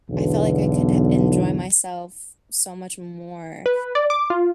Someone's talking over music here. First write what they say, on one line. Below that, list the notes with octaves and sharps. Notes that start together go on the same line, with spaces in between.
I felt like I could ha enjoy myself so much more
B1 E2 D3
B4
D5
D6
F4